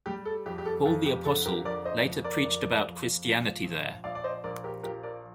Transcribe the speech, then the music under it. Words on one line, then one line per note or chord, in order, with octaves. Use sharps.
Paul the Apostle later preached about Christianity there.
G3 G4
A4
F2 G4
G4
A4
F2 A4
G4
D3 A4
G4 A#4
F2 A#4 D5
C5 D#5
F2
A#4 D5
F2
F2
F3
A#1
A#1 D5 F5
D5
C5 D#5
A#1 A#4 D5
G4 A#4
F3 G4 A#4
A#4 D5